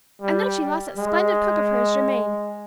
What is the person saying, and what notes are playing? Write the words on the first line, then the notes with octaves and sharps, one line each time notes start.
And then she lost that splendid cook of hers, Germaine.
G3
G#3